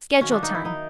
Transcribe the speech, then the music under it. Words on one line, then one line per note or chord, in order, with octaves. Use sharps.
Schedule time.
D#3 F#3 A#3 C#4
D4
D#4
E4
D#4